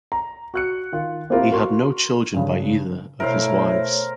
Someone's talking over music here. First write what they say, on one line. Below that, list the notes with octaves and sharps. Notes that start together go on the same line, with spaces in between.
He had no children by either of his wives.
A#5
F#4 F#6 C#7
D#3 F4
A#3 C4 E4 F4 G4 A#4
F#4 A#4 C6 C#6
G2 C#3
B2 A3 E4 A#4 C5 C#5 F5